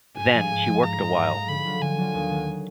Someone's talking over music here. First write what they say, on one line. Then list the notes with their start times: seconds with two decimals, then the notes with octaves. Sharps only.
Then she worked awhile.
0.17 G#2 G#5
0.34 F3 G#3
0.50 G#2
0.67 F3 G#3
0.83 G#2 A#5
0.99 F3 G#3
1.16 G#2
1.32 F3 G#3
1.49 D3 B5
1.65 F#3 D4 F4
1.81 D3 G#5
1.98 F#3 D4 F4
2.14 D#2
2.30 D#3 F#3